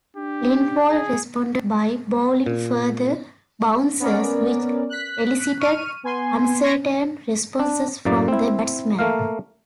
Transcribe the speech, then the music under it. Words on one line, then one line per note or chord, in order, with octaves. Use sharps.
Lindwall responded by bowling further bouncers, which elicited uncertain responses from the batsman.
D4 G4
G#4
A#2
B3 C#4 A#4 D5
F#6 B6
C#6 F6 D#7
B3 G#5 C6
C6 C#6 G#6 A#6 B6 D7
D4
F#2 A2 A#3 D5
C4 E4
A3 A#3 A#4 F5